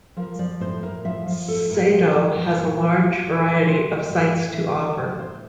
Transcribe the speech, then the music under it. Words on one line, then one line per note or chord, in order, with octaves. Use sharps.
Sado has a large variety of sights to offer.
F3 A#4
F3 D5
A2 C5
A2 A#4
F3 E5
F3
A2 A4
A2 A#4
F3
F3
A#2
A#2
F3
F3
A#2
A#2
E3 C5
E3
A2
A2
E3 E5
E3 D5
A2 D5
A2 C5